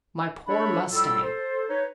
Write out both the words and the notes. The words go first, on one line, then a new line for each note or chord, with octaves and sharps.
"My poor mustang!"
D4 A4 C#5 E5 B5
A2 G3 F4 A4 E6
A4 C5
D#4 B4 C#5